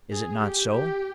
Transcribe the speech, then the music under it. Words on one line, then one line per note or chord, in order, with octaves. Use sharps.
Is it not so?
G#4
G4
G4